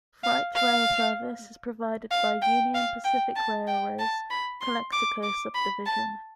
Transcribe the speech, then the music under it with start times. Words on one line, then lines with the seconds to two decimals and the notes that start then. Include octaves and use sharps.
Freight rail service is provided by Union Pacific Railroad's Calexico Subdivision.
0.24 F5
0.55 F5
2.11 F5
2.42 G5
2.74 F5
3.04 G5
3.36 A5
3.67 G5
3.99 A5
4.31 B5
4.61 C6
4.92 D6
5.23 D6
5.55 B5
5.86 A5